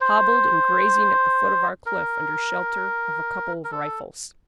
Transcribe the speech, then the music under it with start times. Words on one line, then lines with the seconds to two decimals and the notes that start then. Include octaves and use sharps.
"Hobbled, and grazing at the foot of our cliff under shelter of a couple of rifles."
0.01 C5
1.86 A#4
3.65 A#4
3.72 A4